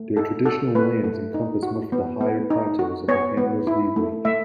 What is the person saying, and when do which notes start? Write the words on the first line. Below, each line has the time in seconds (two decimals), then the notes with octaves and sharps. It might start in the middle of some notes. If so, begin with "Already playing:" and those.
Their traditional lands encompass much of the higher plateaus of the Hamersley Range.
Already playing: A3
0.17 D#4 A4
0.46 F#4 A4
0.75 A3 B4
1.04 A3
1.34 D#4
1.63 F#4
1.92 B3
2.21 B3
2.50 D#4
2.79 F#4
3.08 B3 C#5
3.37 B3
3.67 E4
3.96 A3
4.25 A3 E5